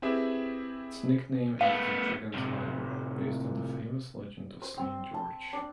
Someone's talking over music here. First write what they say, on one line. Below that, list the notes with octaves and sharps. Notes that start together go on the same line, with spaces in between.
Its nickname is "The Dragon's Lair" based on the famous legend of Saint George.
C4 E4 G4 G#4 B4 E5
A3 B3 F5
A2 C3
C5
C4
A5
D4